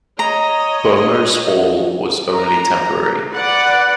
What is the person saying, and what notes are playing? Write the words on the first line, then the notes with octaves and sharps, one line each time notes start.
Boehmer's Hall was only temporary.
C#5 D#5 A#5
A#5
B4 D5 F#5